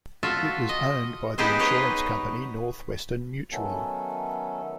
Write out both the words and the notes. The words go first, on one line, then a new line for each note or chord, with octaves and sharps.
It was owned by the insurance company Northwestern Mutual.
F4 F#4 A4 E5
D#5
B3 D#4 G4 G#4 B4 C5
G#4 B4 C#5 D#5
D#3 F#3 A3 B3 C#4 A4